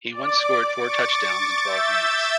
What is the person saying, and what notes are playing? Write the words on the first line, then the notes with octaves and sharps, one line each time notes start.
He once scored four touchdowns in twelve minutes.
D5 D6
C#6 D6 A6
E5 E6 G6 A6